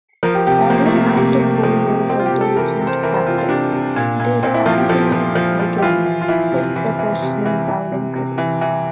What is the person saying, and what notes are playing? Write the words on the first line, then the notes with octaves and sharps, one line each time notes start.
Only after four years of diligent practice did Anthony began his professional bowling career.
F3 A#4
G4
C3 G4
A3
F3 A#3
A3
C3
A#3
C3 A#3
C3
F3
C3
C3 C4
F4
G4
C3
A4
E3 A#4
C3
C5
E3 A#4
C5
C3 F4
F4
C3 D4
C3
A#2
A#2
A#2 C4
E4
F3 F4
G4
F3 A4
F3
F3
F3
G4
E3 F4
E3
F4
E3 E4
C3
E3
E3
C3
E3
E3
C3
C3
E3
E3